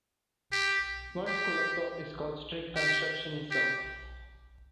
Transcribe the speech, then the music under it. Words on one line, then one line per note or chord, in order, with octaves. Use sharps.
One school of thought is called strict constructionism.
G4
G4
G4
G4